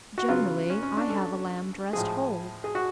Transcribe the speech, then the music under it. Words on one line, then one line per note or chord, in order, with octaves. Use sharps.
"Generally, I have a lamb dressed whole."
F#4
C#3 F#3 B3 F4
C#4
C#4
D4
A4
A2 F3 G#3 G#4
G#4
F#4